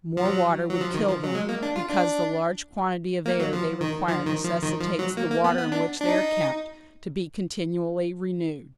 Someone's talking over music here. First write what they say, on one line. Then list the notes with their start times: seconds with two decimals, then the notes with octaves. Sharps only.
More water would kill them, because the large quantity of air they require necessitates the water in which they are kept, to be continually renewed.
0.17 F3
0.26 F#3
0.70 F#3
0.81 F3
0.94 D#3
1.08 F3
1.24 F#3
1.35 G#3
1.49 A#3
1.62 D4
1.76 F4
1.90 D4
3.26 A#3
3.40 F#3
3.53 F3
3.81 D#3
4.08 F3
4.26 D#3
4.44 F3
4.63 D#3
4.81 F3
4.99 F#3
5.17 A#3
5.31 A#3
5.44 B3
5.59 B3
5.72 D4
6.01 D4
6.09 D#4